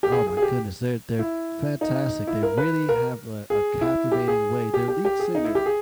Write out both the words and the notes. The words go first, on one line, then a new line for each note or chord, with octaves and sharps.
Oh my goodness, they're they're fantastic, they've really have a a captivating way, their lead singer
G4
G#4
G#4
G#4
G4
E4
D#4
E4
A#4
B4
A#4
G#4
E4
G4
G#4
G4
G4
G4
G#4
D#4
E4
G4
G#4